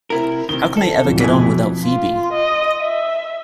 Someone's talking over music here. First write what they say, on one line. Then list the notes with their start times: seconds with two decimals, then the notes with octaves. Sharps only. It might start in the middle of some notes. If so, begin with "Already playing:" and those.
How can I ever get on without Phebe?
0.10 C3 E4 A#4
0.49 C3 D#3 G7
0.77 A4
1.04 D1 F2
1.20 F2 B2 E3 G#4 B6
1.85 F4
2.32 D#5
2.79 E5